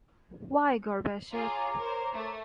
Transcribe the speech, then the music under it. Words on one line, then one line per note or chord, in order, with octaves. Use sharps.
Why Gorbachev?
F4 G#4 C#5 F5 A#5 D6
A#4 C5
A3